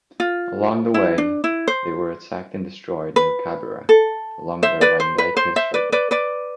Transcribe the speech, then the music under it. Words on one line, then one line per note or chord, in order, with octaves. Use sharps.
Along the way, they were attacked and destroyed near Cabira along the Rhyndacus River.
F4
E4
D4
E4
C5
B4
A4
C5 E5
B4 D5
C5
B4
C5
C5 E5
B4 D5
B4 D5
B4 D5